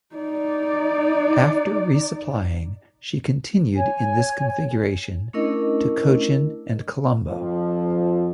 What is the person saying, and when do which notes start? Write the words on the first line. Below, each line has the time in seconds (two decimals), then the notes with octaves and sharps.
After resupplying she continued in this configuration to Cochin and Colombo.
0.15 D#4 D5
3.76 C#5 G#5
5.33 A3 C#4 D4 E4 A#4 D#5
7.28 F2 F3